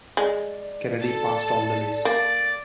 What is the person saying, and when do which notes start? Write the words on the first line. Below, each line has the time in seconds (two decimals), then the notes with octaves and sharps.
Kennedy passed on the race.
0.17 G#3 D5
1.02 A4 A5
2.05 A#3 D5